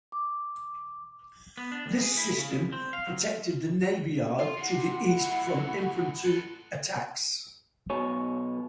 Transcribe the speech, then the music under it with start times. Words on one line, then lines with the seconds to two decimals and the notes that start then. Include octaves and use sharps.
This system protected the Navy Yard to the east from infantry attacks.
0.12 D6
1.57 B3
1.72 D4
1.86 D2
2.02 G#4
2.17 E4
2.39 C#3
2.51 C2
2.72 C4
2.93 F5
3.07 F#3
4.40 F4
4.58 C3 E4 F#5
5.25 A2 F#3
6.25 A4 B4
7.90 B1 B2 C#5 G#5